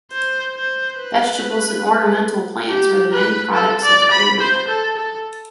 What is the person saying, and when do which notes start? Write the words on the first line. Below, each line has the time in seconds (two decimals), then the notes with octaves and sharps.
Vegetables and ornamental plants are the main products of the area.
0.12 C5
0.55 C5
0.97 B4
2.69 G4
3.12 B4
3.54 A4
3.83 D5
4.12 B5
4.41 C5
4.68 A4
4.97 A4